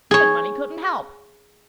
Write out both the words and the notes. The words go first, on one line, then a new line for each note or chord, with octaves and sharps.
Said money couldn't help.
G#4 C#5